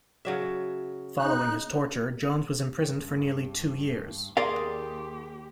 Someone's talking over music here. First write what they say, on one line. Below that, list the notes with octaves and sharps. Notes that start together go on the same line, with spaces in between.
Following his torture, Jones was imprisoned for nearly two years.
C#3 F#3 E5
D#4 F#6
G2
D#2 G4 G#4 A#4 D5 F5 C6 D#6